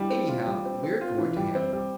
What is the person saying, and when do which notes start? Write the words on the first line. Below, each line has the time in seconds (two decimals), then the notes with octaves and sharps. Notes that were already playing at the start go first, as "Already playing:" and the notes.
Anyhow, we're going to have one.
Already playing: G3 D4 E4
0.10 C4
0.28 F4
0.47 G3
0.65 C4
0.83 C4
1.01 F4
1.19 E3
1.37 G3
1.55 C4
1.73 G3